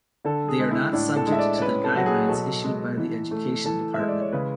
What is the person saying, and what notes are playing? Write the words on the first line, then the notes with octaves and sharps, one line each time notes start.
They are not subject to the guidelines issued by the Education Department.
D3 A4
G#4
G#3
E4
A2 D4
A4
G#3
E5
D5
C#5
C#4 B4
A4
F#3 F#4
G#4
B2 A4
G#3
E3
A3
E3 A4
G#3 E5
D5
C#5
C#3 B4